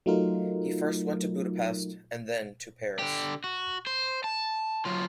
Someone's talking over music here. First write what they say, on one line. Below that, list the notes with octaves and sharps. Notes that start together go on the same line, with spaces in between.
He first went to Budapest and then to Paris.
F#3 A3 D#4 F4 A#4
D3 G4
F#4
C5
A5
F#3 F4